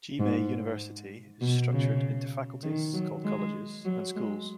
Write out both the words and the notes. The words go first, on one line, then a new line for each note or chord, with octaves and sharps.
Jimei University is structured into faculties called colleges and schools.
G#2
B2
C#3
D#3
F#3
G#3
F#3
G#3